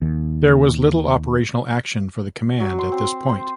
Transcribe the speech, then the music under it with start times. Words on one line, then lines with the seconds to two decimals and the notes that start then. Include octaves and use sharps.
There was little operational action for the Command at this point.
0.02 D#2
2.60 F#3
2.79 C6
2.92 C4
3.29 C5